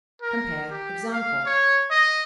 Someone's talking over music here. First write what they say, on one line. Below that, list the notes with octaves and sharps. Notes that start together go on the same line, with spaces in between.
Compare EXAMPLE.
A#4
G4
F5
C#5
D#5